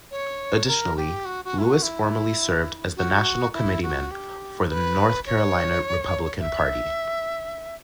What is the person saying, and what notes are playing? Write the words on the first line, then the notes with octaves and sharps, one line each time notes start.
Additionally, Lewis formerly served as the National Committeeman for the North Carolina Republican Party.
C#5
A#4
G4
F#4
F#4
E4
F#4
E4
F#4
E4
F#4
G4
B4
C#5
E5